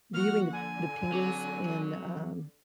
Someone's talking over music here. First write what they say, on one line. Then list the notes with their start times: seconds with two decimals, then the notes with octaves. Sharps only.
viewing the p the penguins and, um
0.14 F3 A#3 F#4 F#5 F6
0.53 D3 G#5
1.12 F#3 C4 D6